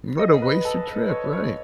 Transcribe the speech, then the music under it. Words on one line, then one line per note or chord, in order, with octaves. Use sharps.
What a wasted trip, right.
D#5
B4
A4
B4
C#5
C#5